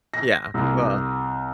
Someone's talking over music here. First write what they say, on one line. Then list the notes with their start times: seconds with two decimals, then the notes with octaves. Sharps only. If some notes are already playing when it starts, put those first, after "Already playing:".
Yeah, well
0.14 A#6
0.54 C2